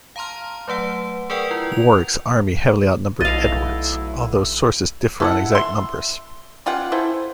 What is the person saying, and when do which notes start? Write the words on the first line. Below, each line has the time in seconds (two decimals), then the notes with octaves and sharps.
Warwick's army heavily outnumbered Edward's, although sources differ on exact numbers.
0.16 F5 A5 A#5 C6 F6
0.68 F#3 A3 B4 F#5
1.30 G#4 A#4 B4 D5 F#5 G5
1.51 E4 F4 B4
1.72 F7
3.21 B1 F#3 A3 E4 D#5 F5 A6
5.20 E4 A4 F#5
5.52 E5 C6
6.66 C#4 F4 G4 F#5
6.92 E4 A4 C5